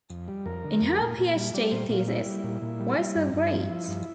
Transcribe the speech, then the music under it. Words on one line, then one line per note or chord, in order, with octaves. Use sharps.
In her PhD thesis Why So Great?
F2
G3
F2 A#4
D3
F2
A#2
A#2
G3
G3 D5
A#2 C5
A#2 F4
G3 E4
G3
A#2
A#2
G3
G3
G2
G2
F3
F3 E4
G2